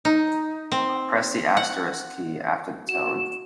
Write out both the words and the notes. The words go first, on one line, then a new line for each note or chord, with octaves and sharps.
Press the asterisk key after the tone.
D#4
C4
F#5
F#4 E7